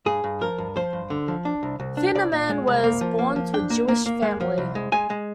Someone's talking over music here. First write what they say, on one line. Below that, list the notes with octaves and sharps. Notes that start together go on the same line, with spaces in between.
Finerman was born to a Jewish family.
G2 G#4
G2
F3 A#4
G2
F3 C5
G2
D3
F3
D4
C2
C2
D4
C2 D5
A#2
G#3
C2
A#3
F3
A#3
F3
D4 G5
A#3
A#3
A#3
G#3
F3
C2
G#3
G#3 G#5
G#3